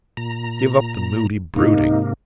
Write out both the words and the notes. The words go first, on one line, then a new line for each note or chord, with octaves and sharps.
Give up the moody brooding.
A#2 A#5
G#2 C3 A#3 D#4